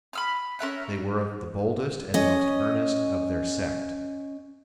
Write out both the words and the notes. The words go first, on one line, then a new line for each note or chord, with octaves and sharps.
They were of the boldest and most earnest of their sect.
B5 E6 F6
C#4 A#4 E5 F#6
C#4 D#5